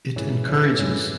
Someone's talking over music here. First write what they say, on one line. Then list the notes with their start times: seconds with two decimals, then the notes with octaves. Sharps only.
It encourages.
0.16 G#2 E3 C#4 G#4 B4
0.47 E3 C#4 G#4 B4
0.79 G#2 E3 C#4 G#4 B4